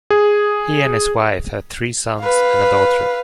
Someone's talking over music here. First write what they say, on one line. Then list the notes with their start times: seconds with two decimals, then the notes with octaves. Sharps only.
He and his wife have three sons and a daughter.
0.10 G#4
2.20 B4 F5